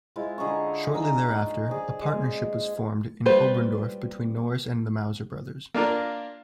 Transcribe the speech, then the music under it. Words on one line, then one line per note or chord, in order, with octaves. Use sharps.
Shortly thereafter, a partnership was formed in Oberndorf between Norris and the Mauser brothers.
G#3 E4 F4 C5
D3 G#4 A#5 C#6
D#4 G#5
G#4 C5 D5
G#3
G3 F4 B4 C5
A#3 D4 F4 A#4